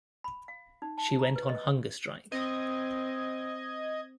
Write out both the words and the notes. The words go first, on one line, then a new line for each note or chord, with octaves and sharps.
She went on hunger strike.
B5
F5
D#4
A5
A#5
B4
D#5
C4 D#5 G#6